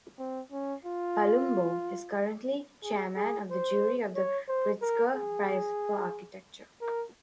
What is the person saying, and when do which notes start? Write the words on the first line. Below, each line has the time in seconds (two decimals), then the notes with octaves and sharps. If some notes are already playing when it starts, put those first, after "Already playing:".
Palumbo is currently chairman of the jury of the Pritzker Prize for Architecture.
0.19 C4
0.52 C#4
0.85 F4
2.84 G#4
3.16 G#4
3.50 C5
4.15 C#5
4.49 C5
4.82 A#4
5.15 G#4
6.81 A#4